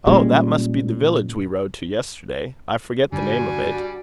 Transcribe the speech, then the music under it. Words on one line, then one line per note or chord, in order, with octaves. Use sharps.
"Oh! that must be the village we rode to yesterday -- I forget the name of it."
A#2 G3 G#3 C#4
G2 D3 G3 D4 F#4 G#5